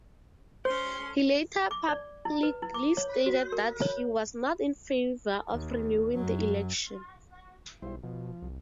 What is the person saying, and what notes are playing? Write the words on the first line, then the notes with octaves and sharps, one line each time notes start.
He later publicly stated that he was not in favour of renewing the election.
C#4 C5 C6
D6
D5
E4
B4
E4
D6
C#5
F#4
A#4
C#5
D#2
F#2 F#3
B1 G3 E4 C5
B2 F3
C2